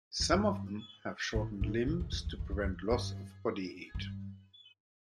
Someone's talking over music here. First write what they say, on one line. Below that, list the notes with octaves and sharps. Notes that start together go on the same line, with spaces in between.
Some of them have shortened limbs to prevent loss of body heat.
F2
G2
A2
A2
B2
E2
F2
E2
F2
E2
F2
G2
G2